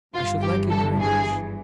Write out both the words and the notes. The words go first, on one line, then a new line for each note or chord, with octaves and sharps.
'I should like it very much.
G1 G2 E3 F4
G4
A4
G#4